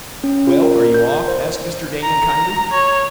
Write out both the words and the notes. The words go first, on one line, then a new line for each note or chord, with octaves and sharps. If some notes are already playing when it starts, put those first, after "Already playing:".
"Well, are you off?" asked Mr. Damon, kindly.
C#4
F4
A#4
G6
C5
A#5
C#5